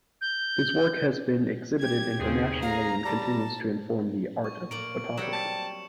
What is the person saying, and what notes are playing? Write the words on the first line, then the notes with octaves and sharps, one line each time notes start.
His work has been exhibited internationally and continues to inform the art of photography.
G6
G4 G#6
D#2 C#3 C4 G#4
F5 A#5
G3 A5
C#6
A#2 A#3 D7 F#7
F#3 G3 C4 C#7 D7 E7
A5